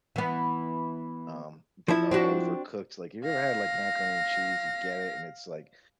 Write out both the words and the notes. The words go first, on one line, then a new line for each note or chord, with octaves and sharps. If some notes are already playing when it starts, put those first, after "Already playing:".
um, than the overcooked, like, you ever had, like, macaroni and cheese, you get it, and it's, like,
E3 B3
F3 E4
C4 D4 F#4
F5 A#6